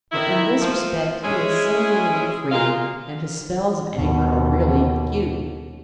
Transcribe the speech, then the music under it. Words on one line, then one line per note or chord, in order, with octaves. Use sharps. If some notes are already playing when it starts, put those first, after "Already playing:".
But in this respect he is singularly free, and his spells of anger are really few.
D#3 E4
F3
G#3 C#4 E4 G#4
A#2 G#3 F4 A#4 F5
D#2 B2